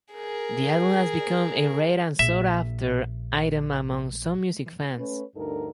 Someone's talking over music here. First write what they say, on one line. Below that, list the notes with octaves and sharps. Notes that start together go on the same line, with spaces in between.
The album has become a rare and sought-after item among some music fans.
G#4 A#4
A#1 E5
A3 C#4 B4 C#5
D2 G2 D#4 A4 A#4